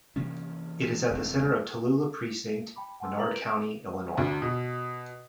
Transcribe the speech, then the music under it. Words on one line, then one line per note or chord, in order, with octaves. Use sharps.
It is at the center of Tallula Precinct, Menard County, Illinois.
C3 E3 A#3 C#4
E1 A3 C4
G5 A5 B5 D6
F#5 G#5 A5 C6 D6 E6
A#4 B4 A#5 A6 A#6 F#7
G6 D7 E7 F7
D2
B2